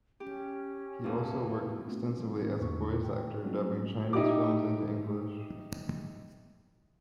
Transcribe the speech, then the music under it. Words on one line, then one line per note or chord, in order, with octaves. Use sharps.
He also worked extensively as a voice actor, dubbing Chinese films into English.
C#4 G4
E2 A#2 A5
A3 B3 C4 D4 F4 F#4
E3 G3 A#3 C4 F4
D#3 A#3 C4
E2 G#2 D3 A#3 D4 C#6
G5
F#3 G3 C4 C#4 D#4 F#4
D#4 E4 G4 D6